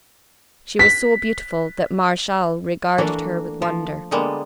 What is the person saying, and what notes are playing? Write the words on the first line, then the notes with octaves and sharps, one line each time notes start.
She was so beautiful that Martial regarded her with wonder.
B6
E3 A3 A#3 D4 F#4
F3
D3 G3 G#3 A#3 B3